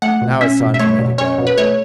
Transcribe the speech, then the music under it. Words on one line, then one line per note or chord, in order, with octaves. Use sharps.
Now it's time for me to go.
A3 F#5
B2
C#4 E5
B2
E5
A3 C#5
B2
C#4 C#5
B2
B4
A3 C#5